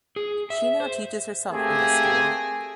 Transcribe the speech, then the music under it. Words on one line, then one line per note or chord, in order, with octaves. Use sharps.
She now teaches herself in this school.
G#4
E5
C5
A3 A#3 C4 G4 G#4